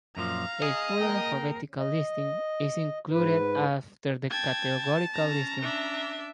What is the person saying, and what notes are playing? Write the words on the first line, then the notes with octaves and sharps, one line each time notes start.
A full alphabetical listing is included after the categorical listing.
F#2 A#2 F3 F5 A#5
G#4 D#5
A#3 A#4 G5
D#5
G#2 B4
G5 A5 G#6
C#4 A#5
D4 E5